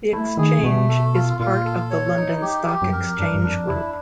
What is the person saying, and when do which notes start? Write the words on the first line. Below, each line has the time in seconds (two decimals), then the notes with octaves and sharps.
The Exchange is part of the London Stock Exchange Group.
0.12 A3 E4
0.37 D#3 G#4
0.58 C3
0.64 B2 A3
0.89 A4
1.14 F4
1.40 A#2 F4
1.65 A4
1.91 C#5
2.17 D#4
2.42 G4
2.67 G4
2.82 F#2
2.92 F2 A#4
3.18 G2 D4
3.26 F#2
3.34 G2
3.43 F2 D4
3.68 E2 E4